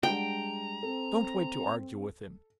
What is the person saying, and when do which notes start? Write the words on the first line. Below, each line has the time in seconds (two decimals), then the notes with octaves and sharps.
Don't wait to argue with him.
0.03 G3 G#3 D4 G5 A#5
0.83 C4 A4